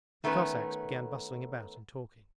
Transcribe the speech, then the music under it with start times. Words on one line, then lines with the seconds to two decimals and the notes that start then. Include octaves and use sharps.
The Cossacks began bustling about and talking.
0.24 D#3 A3 B3 C#4 B4